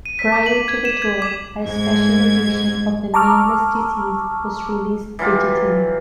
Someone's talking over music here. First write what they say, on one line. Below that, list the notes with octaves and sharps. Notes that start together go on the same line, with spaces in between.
Prior to the tour, a special edition of "The Nameless Disease" was released digitally.
D#7
B6
D6
F#7
G#6
E7
G#6
D6
G#2 G#6
A5 A#5 C#6 D6 E6 F6
E3 F#3 F4 G4